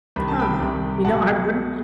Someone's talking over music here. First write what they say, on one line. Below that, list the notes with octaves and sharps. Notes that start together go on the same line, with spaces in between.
Huh, you know, I wouldn't
C2 C3 D#3 B5
A5
G5 B5
C2 C3 D#3
B2 F#5 A5